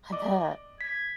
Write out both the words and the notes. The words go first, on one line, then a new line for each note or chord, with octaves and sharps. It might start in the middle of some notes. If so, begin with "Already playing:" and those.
I bet.
D5 D#5 D6
G#6 B6